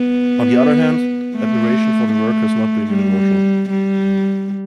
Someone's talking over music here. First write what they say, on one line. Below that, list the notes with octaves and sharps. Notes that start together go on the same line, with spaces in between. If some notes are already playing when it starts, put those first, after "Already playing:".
On the other hand, admiration for the work has not been universal.
Already playing: B3
A3
A3
G3
G3